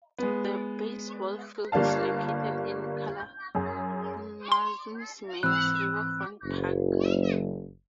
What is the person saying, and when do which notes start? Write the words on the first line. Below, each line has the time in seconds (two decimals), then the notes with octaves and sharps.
The baseball field is located in Kalamazoo's Mayors Riverfront Park.
0.18 G#3 B3
1.72 G1 G3 A#3 D4 F5 A5
3.20 G6
3.55 F#2 G#4
4.52 C6
5.43 G#2 E3 C4 B5 E6 F#6
6.44 F#1